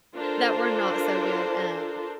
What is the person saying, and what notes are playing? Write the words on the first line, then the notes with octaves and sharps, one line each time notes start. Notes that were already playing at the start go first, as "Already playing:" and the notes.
that were not so good, uh,
D4 F4 A4 A#4 C5